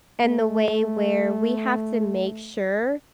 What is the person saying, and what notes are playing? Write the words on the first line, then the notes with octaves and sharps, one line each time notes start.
in the way where we have to make sure
A3